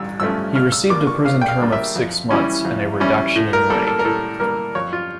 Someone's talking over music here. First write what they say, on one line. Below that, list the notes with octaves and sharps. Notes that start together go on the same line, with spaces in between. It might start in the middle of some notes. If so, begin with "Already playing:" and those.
He received a prison term of six months and a reduction in rank.
Already playing: A1 G2 E6
G2 F3 A3 C#4 E6
C#3 F6
E6
G3 A#3 D4 F4 D6
C#6
C#3 F5
G5
F5
G3 A#3 D4 F4
E5
F2
E3 G3 C#4 E4
F2
E3 G3 C#4 E4
A2
A#4
G3 A#3 A4
A4
A#4
A2 A4
G3 A#3 A#4
F2 C#5
F4